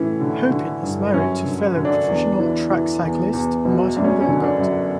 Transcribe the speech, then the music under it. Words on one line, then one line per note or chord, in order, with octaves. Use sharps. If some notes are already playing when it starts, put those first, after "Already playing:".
Hupin is married to fellow professional track cyclist Martin Gilbert.
Already playing: A2 E3 C#4
D3
D3
G2
F#2 C#4
D3
D3
D4
E2
E3
E3
E2
E2
B2
F#2 D4
C#4
C#4
D3
D4
F#2